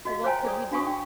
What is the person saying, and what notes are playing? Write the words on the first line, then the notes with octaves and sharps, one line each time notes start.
But what could he do?
F#4 D#5 F5
C5 C#5 F5 G5 G#5 A#5
G#4 D5 D#6
D4 F#4 F5 G#5 C#6 D#6
G5